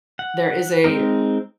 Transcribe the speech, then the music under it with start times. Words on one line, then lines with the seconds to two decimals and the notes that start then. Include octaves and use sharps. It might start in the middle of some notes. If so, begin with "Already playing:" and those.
There is a
0.19 F#5
0.84 G#3 C4 D#4 A#4